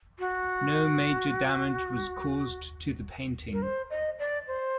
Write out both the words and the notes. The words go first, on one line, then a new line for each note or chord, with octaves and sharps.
No major damage was caused to the painting.
F#4
A#4
C5
D#5
D5
C5